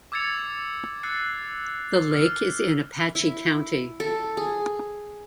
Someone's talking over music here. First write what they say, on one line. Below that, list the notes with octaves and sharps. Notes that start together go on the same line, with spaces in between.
The lake is in Apache County.
D6 E6 G#6 A6 C#7 F7
E6 F#6 A6 C7 C#7
F6
E4
A4
G#4